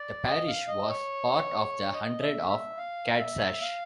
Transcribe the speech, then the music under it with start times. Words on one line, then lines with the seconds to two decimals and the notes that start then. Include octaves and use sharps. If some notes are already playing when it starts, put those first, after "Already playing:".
The parish was part of the hundred of Catsash.
Already playing: D5
0.26 D#5
0.47 F5
0.68 D#5
0.90 C#5
1.93 D#5
2.21 E5
2.49 E5
2.77 F5
3.19 E5
3.61 F5